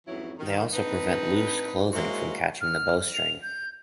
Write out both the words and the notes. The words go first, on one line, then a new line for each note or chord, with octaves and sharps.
They also prevent loose clothing from catching the bow string.
F2 G#2 E3 F#3 C#4 E4
D#3
C4 D4 D#4 B4
G#3 A#3 C4 C#4 E4 F#4
F6
F7
G6